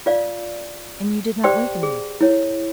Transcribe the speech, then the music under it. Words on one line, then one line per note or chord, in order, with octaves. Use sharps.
"And you did not awaken me?"
F4 D5 F5
G4 C5 D5 G5 C6
G#4
E4 C#5